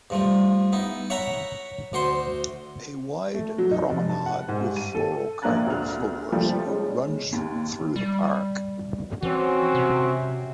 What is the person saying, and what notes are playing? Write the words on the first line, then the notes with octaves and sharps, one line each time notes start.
A wide promenade with floral carpet floors runs through the park.
G2 F3 A3
B3 D#4 E4
C#5 E5 F#5 A#5 B5
D2 F#4 C5 C6
A3
F#3
D#4
F1
A5
F#5
G#2
G2
D#7
A4
A#1 A#3 D4 A#5 F#6 A6
D2 F6
F3 G3 A3 A#3
G#3 C#4
D#2
G3
E3 C4 C#4 F#4
C3